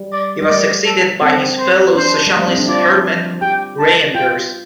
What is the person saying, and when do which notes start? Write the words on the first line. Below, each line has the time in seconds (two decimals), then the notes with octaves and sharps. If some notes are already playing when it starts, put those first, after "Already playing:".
He was succeeded by his fellow socialist Herman Reynders.
Already playing: G3
0.12 D5
0.42 G3
0.49 A3 D5
0.86 A4
1.22 C4 A4
1.59 C5
1.95 D4 C5
2.27 G3
2.37 A3
2.48 C4
2.58 D4
2.68 F4 D5
3.42 G4 G5
3.79 A5
4.14 F4 G5